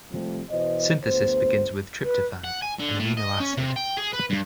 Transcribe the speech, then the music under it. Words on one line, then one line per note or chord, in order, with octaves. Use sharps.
Synthesis begins with tryptophan, an amino acid.
C3 F3 G3 A3 C4
B2 E3 C5 D#5
D2 B3 C5
B4
F#5
G#5
D3
A2
D#5
C#4
C3
G5
G#4
B4
G2